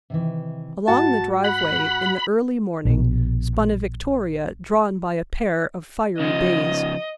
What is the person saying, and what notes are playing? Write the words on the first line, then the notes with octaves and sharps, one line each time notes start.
Along the driveway in the early morning spun a victoria drawn by a pair of fiery bays.
C3 D#3 E3
G#2 F#4 A5
F#5 B5
A#1 B2
C#3 F3 D#5